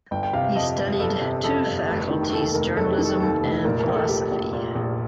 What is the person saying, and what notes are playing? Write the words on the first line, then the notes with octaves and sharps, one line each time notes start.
He studied two faculties journalism and philosophy.
G1 G5
G5
C3 F5
F5
F2 D#5
G1
G1 A4
C3
F2 A4
G1
F1 G4
D#3
D#2 A4
F1 A#4
F1 A4
G4
D#3
A4
D#2 A4
F1
A#2 A#4
A#4
A#1
A4
A#2 G4
A#1
A#2
A#1